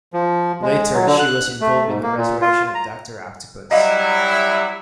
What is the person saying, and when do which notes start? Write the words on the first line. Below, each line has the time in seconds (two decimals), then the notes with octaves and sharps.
Later, she was involved in the resurrection of Doctor Octopus.
0.13 F3
0.62 G#3
0.93 F#3
1.06 D3
1.20 F#6
1.61 A3
1.87 G#2
2.03 A#3
2.17 A#2
2.41 F4
2.75 A#5
3.71 F#3 G3 E4 D#5 F5